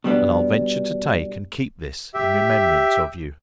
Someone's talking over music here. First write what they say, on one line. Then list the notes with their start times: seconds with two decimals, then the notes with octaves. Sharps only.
"And I'll venture to take and keep this in remembrance of you."
0.04 B2 G3 B3 D4
2.14 G4 E5